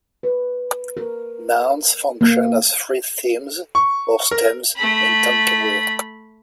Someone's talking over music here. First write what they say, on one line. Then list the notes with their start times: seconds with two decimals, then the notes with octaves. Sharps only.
Nouns function as free themes, or stems, in Tonkawa.
0.23 B4
0.97 A#4
2.21 A#3
3.75 C#6
4.31 A#4
4.75 A3 B5